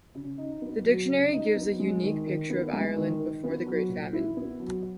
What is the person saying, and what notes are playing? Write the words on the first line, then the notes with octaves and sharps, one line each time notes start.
The dictionary gives a unique picture of Ireland before the Great Famine.
C#3
D#4
B3
F#3
C#3
D#4
B3
G#3
D#3
D#3
B3
G#3
D#3
D#3
B3
F#3
A#2
E4
B3
F#3